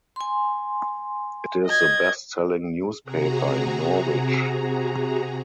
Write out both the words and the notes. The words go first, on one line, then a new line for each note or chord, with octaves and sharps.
It is the best-selling newspaper in Norwich.
G#5 C6
D#5 G#6
C3 F#4 G#4 A#5